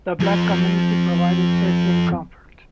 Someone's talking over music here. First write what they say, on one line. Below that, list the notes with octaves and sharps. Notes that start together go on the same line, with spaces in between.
The Black community provided safety and comfort.
F2 F3